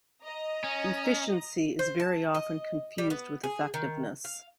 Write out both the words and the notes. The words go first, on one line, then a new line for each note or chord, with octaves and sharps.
Efficiency is very often confused with effectiveness.
D#5 A#5 D#6
C#4
C5
A5
D#5
G3
B3
G#4
D#3
F5